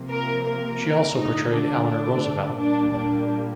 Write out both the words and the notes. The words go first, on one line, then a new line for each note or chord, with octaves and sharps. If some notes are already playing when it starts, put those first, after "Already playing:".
She also portrayed Eleanor Roosevelt.
Already playing: C3 F3 A#3
A#4
A#4
D3 A3 D#4
D4
D4
A#2 G3 A#3 D4
D4